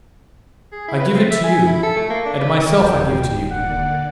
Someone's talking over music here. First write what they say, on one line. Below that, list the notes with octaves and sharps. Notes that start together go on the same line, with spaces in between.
I give it to you, and myself I give to you.
G#4
E4
B4
C4
E5
G#5
E4
A4
A3
A#3
D4
B4
D#1 G5
D3 A#3 D5 F#5